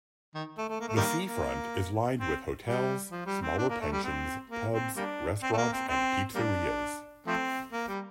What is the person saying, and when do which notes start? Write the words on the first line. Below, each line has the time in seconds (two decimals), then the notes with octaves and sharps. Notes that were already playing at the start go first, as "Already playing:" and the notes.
The seafront is lined with hotels, smaller pensions, pubs, restaurants and pizzerias.
0.35 D#3
0.58 A3
0.69 A3
0.81 A#3
0.88 A3
0.96 D#3 G3 A#3
1.27 A#3
2.19 C4
2.65 G3
3.11 F3
3.26 G3
3.42 C4
3.58 D4
3.69 A#3
3.81 A3
3.92 G3
4.04 C4
4.50 A#3
4.73 C4
4.96 G3 A#3 D4
5.42 C4
5.53 A3
5.58 A#3
5.73 C4
5.89 C4
6.35 G3 A#3 D4
7.27 F3 A3 C4
7.73 A#3
7.88 G3